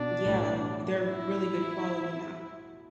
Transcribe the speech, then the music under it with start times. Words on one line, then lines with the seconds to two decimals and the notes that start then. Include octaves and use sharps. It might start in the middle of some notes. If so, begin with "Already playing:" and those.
Yeah, they're really good quality now.
Already playing: B2 D4
0.25 A2
1.05 E4